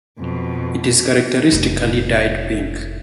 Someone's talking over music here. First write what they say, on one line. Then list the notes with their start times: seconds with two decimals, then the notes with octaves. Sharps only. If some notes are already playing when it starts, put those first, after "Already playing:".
It is characteristically dyed pink.
0.19 F2 B2
1.52 F1 D4